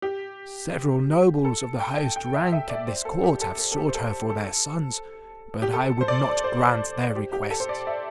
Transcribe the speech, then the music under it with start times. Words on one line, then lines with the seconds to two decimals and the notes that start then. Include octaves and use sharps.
Several nobles of the highest rank at this court have sought her for their sons, but I would not grant their request.
0.02 G4
1.45 A4
1.80 G5
2.16 G5
2.34 E5
2.52 E5
2.70 D5
2.88 C5
3.05 A4
3.24 G4
3.41 A4
3.58 A4
3.72 A4
3.76 G4
3.89 C5
3.94 A4
4.30 A4
5.62 G4
5.73 A4
6.01 C5
6.08 D5
6.44 C5
7.16 G4
7.33 G4
7.51 A4
7.60 C5
7.69 D5
7.87 E5